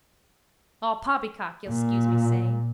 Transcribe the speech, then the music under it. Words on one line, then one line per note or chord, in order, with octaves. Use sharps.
All poppycock, you'll scuse me saying.
A#2